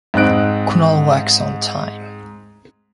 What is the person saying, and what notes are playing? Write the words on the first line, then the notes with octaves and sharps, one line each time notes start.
Kunal works on time.
G#2 C4 D#5 F#6 D7